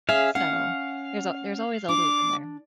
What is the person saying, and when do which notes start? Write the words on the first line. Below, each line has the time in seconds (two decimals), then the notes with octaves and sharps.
So, there's a there's always a loop in there.
0.09 C#4 G#4 E5 F5
0.35 C#4 F5 F#5
1.89 D4 D6